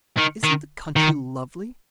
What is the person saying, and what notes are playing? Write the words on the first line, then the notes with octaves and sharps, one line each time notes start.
Isn't the country lovely!
D#3
D#3
D#3